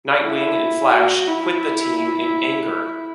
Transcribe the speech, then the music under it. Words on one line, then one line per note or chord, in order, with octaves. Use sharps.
Nightwing and Flash quit the team in anger.
E4
F#4
E4